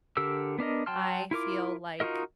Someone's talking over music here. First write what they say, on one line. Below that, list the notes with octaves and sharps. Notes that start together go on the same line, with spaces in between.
I feel like
D3 G4 A#4 E6
B3 D4 A#4 D#5
F#3 G5 A5 C6 F6
E4 F4 A#4 D6
D#4 F4 F#4 A#4 D#5